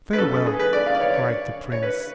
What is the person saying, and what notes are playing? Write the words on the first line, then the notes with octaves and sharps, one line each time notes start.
"Farewell!" cried the Prince.
B4
F#2 C#3 G#3 A4
G#4
B4
D5
F5
D5
C#5
C#5
C#5
B4